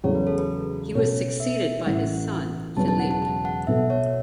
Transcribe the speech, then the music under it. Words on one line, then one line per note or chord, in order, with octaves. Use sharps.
He was succeeded by his son, Philippe.
E2 C#3 F#3 A3 C#5
B4
A4
B4
B2 A3 C#4 A4 C#5
E5
A1 A2 E3 F#5
E1 E2 C#3 F#3 B3 A5
A5
F#5
A5
A5
F#5
B1 B2 B3 F#4 A4 E5
C#5